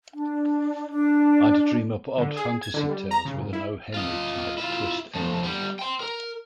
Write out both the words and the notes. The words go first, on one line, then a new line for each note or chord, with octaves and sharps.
I'd dream up odd fantasy tales with an O. Henry type twist ending.
D4
D4
D3
G#4
G#6
D3
G3
A#5
C#3
G#2
E4
F4 D#5
E4 F4
F3 A3
G3 B3
G5 C6
A#4